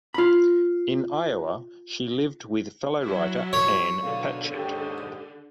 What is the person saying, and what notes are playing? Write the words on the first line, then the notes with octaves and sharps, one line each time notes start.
In Iowa she lived with fellow writer Ann Patchett.
F4 B5
F#3 E4
C#5
B2 D3 D#3 F5
D#2 G#2 G4